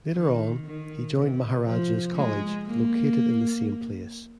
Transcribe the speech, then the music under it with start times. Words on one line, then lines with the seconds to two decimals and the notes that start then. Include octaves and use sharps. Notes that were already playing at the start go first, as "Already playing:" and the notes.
Later on, he joined Maharajah's College, located in the same place.
0.14 D#3
0.65 D#3
1.14 C3
1.65 F3
2.15 G#3
2.66 A#3